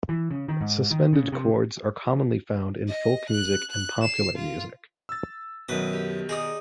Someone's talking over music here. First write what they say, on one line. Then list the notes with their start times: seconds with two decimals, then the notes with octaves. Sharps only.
Suspended chords are commonly found in folk music and popular music.
0.09 E3
0.31 C#3
0.49 D#3
0.61 G#2
0.91 D#3
1.13 C#3
1.32 C3
2.88 D#5
3.30 F#6
3.71 F#6
4.01 C7 E7
4.35 F4
5.09 E6 A6
5.68 F#2 B2 D#3 B4 D#6
5.93 G4
6.29 D#4 G#4 D5 D#6